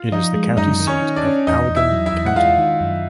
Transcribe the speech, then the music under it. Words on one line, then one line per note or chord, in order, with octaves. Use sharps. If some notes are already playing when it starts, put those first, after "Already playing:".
It is the county seat of Allegan County.
Already playing: F4 F5
F3 D#4 D#5
G#3
F#2 D#4 D#5
D#3
C#4 C#5
D#3
D4 D5
C#4
E2 D#4 D#5
E2
E4 E5
F#3
E4 E5
E2
F#5
G#3 F4 F5
D#3
F#2